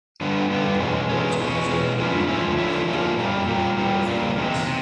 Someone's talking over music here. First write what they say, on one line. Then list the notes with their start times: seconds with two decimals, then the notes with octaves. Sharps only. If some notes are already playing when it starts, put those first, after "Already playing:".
The park also has a marina and a public golf course.
0.21 G2 D3 G3 B3
0.50 G2 D3 G3 B3
0.80 E2 B2 G#3 C#4
1.09 E2 B2 G#3 C#4
1.39 E2 B2 G#3 C#4
1.69 E2 B2 G#3 C#4
1.99 D3 F3 A#3 C#4 E4
2.29 D3 F3 A#3 C#4 E4
2.58 D3 F3 A#3 C#4 E4
2.88 D3 F3 A#3 C#4 E4
3.17 A#2 G3 A#3
3.47 A#2 G3 A#3
3.77 A#2 G3 A#3
4.06 A#2 G3 A#3
4.36 E2 C3 D#3 G#3
4.67 C3